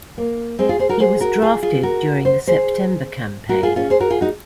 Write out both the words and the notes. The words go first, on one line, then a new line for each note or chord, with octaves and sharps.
He was drafted during the September campaign.
A#3
G#3 C4
F4 G#4
G#4 C5
F#4 A#4
G#4 C5
F#4 A#4
F4 G#4
F4 G#4
F#4 A#4
C5
G#4 C5
F#4 A#4
F4 G#4
C#4 F4
G#4 C5
F#4 A#4
F4 G#4
D#4 F#4